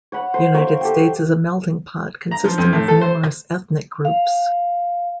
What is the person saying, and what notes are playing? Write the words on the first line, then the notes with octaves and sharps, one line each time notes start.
The United States is a melting pot consisting of numerous ethnic groups.
C#5 F#5 B5
C5
A#4 C5 C#5 F5
G4 A4 G5
A#5
F3
F2
A2
A4
C5
F5